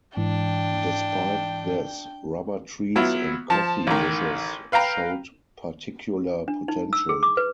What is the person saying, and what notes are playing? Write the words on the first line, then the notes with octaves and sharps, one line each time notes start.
Despite this, rubber trees and coffee bushes showed particular potential.
G#2 E3 D4 G5
F#3 B3 E4 F4
F3 A5
A1 D#3
B4 F5 G5 A#5
D4
D#4
E6
G#4
D6
B4